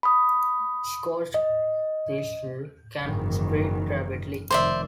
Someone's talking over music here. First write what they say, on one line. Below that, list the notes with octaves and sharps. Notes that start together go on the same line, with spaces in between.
Scotch thistle can spread rapidly.
B5 D#6
D#5
F#1 G#2 D#3 E3
F1 D#3 C5 D5 E5